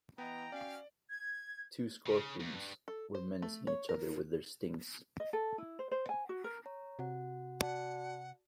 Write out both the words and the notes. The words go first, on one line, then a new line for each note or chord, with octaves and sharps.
Two scorpions were menacing each other with their stings.
E3 B3 D#5 G5 A#5
C#4 F#4 D5 F5
G#6
C#3
D#2
G2
A4
C5
A3
C#5
A#4
D#5
A4
E4
C5
C5
G#5
F#4
A#4
C#5 A#5
C3 F#4 F#5
F#4 D5 F#5 A5